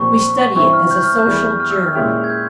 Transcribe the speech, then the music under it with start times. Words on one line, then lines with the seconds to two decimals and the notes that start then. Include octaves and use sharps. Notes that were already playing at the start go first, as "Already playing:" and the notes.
"We study it as a Social Germ."
Already playing: A#2 F3 C4 G4 C#6
0.56 G2 E3 G3 C4 E4 C#6
0.73 F6
0.91 G6
1.03 F6
1.16 G6
1.25 E2 E3 G3
1.60 F6
1.70 E6
1.81 F6
1.95 A#2 G#3 C#4 E4 G4
2.24 G#6
2.30 G6